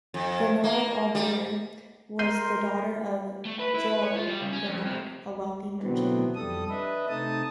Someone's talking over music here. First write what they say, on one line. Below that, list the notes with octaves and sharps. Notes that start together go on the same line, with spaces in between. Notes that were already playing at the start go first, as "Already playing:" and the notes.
Bernard Aguirre was the daughter of Joab Bernard, a wealthy merchant.
F2
A#3
G3
A#4 C6 G6 D#7
A3
B4
E4
B4
C#5
F4
G3
C#3
C#4
F2
C3
B2 D3 E3 F#3 B3 C4
F2 G3 A4 D#6
D4 B4 D#5 E5
C3 A3 D#4 A5 D#6